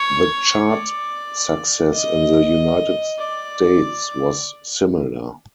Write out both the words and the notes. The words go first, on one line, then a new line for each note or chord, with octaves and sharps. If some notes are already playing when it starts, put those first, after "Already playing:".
The chart success in the United States was similar.
Already playing: C#5
D5
D#5
D5